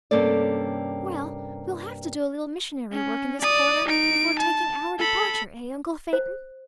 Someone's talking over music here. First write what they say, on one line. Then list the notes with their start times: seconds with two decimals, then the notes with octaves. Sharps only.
"Well, we'll have to do a little missionary work in this quarter, before taking our departure, eh, uncle Phaeton?"
0.11 G2 C3 A#3 C#4 A4 D5
2.92 C#4
3.41 D5 D#6
3.88 D#4 D7
4.39 A5
4.99 A4 B5
6.13 C5